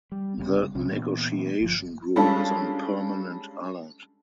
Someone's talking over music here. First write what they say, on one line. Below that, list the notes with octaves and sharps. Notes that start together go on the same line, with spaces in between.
The Negotiation group is on permanent alert.
G3
F1 C#3 G3 B3
C2 C3 C#4
A#2 E3 A#3 B3
G1 F3
G3 G#3 C#4 D4 F4 A4